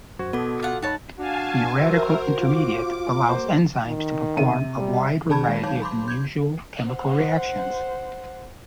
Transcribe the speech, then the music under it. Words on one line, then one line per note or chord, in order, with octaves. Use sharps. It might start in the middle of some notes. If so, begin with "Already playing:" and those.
The radical intermediate allows enzymes to perform a wide variety of unusual chemical reactions.
F#2 F#4 C5 G#6
B2 B3 F#4 A4 D6
F4 F#5
F#2 D#4 F#4 C#5 A5 B5
D4 F#4 F5 G#5 A5
F#4 A#4 C5 E5
F4 D6
A#3 F#4 C5
D#3
C3 D#7
G3
D#3 D4 G#4 A5 B5 G#6
G#3
F#3 D#4 C#5 F5 A5 G6
B5 C6 D6
G6 G#6
C5 F#5